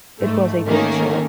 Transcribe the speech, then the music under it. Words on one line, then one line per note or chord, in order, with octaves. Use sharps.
It was a great show.
G#2 A3
D#3 A3 A#3 C#4 A#4